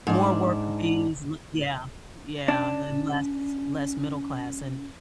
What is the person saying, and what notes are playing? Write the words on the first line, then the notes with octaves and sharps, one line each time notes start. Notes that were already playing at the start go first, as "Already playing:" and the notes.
More worker bees, le yeah, yeah, and less less middle class, and
G#2 D4
C#4 D4